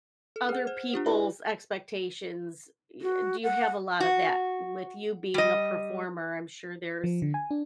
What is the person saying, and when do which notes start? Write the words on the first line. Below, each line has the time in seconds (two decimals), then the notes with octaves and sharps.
other people's expectations? Y Do you have a lot of that? With you being a performer, I'm sure there's
0.36 A4
0.49 G#4 F#5 F6
0.67 C5
0.93 D4 F4 G4
1.06 E4 G4 B4 D5
3.01 F#4
3.43 F#5
4.00 F#4
5.34 G3 D#5
7.04 F3
7.22 D3
7.34 G#5
7.51 D4